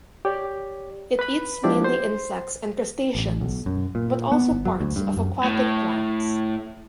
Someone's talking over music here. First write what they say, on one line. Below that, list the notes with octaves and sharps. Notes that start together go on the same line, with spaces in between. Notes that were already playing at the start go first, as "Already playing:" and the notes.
It eats mainly insects and crustaceans, but also parts of aquatic plants.
G4 C#5 D5
B4 B5
F3 G#3 D4 E4 G4 D5
C5 C6
A1
B1
F#2
A#2
B3
G1
F#3
D2
G2
F#2
A2